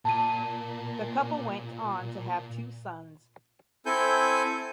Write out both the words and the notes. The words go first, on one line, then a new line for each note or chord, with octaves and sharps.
The couple went on to have two sons.
A#2 A5 D#7
C4 E4 A4 G#5 G6